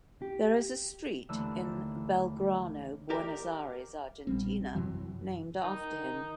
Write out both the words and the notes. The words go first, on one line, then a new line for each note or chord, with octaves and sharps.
There is a street in Belgrano, Buenos Aires, Argentina, named after him.
G4
D#2 D3 E3 A3 E6
G4 A#4 D5 G5
A#1 G3 C4
F#2 C3 E3 F#3
D#3 D#4